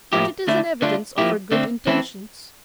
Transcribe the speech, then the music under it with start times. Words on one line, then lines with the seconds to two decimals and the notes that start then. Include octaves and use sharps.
But it is an evidence of her good intentions.
0.13 A2 F3 A#3 E4 G4
0.48 D3 A3 E4
0.82 D3 A3 D4 F4
1.18 F3 A#3 E4 G4
1.52 D3 A3 C4
1.87 E3 A3 C4 E4